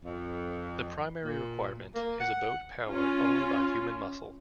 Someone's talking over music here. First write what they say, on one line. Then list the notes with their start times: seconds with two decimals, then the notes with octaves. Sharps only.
The primary requirement is a boat powered only by human muscle.
0.05 F2
1.24 A#2
1.95 A#3
2.20 F#5
2.88 C#4 F4